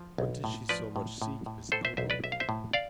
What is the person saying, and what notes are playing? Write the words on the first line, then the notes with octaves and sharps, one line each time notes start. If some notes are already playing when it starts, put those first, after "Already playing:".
What does she so much seek as elbowroom?
Already playing: F3
B1
A2
F3 B4 D5
A2
A2
A2
A2 A4 C5
C5 E5
B1 C5 E5
B4 D5
B1 E5
F5
C5 E5
A2
D5 F5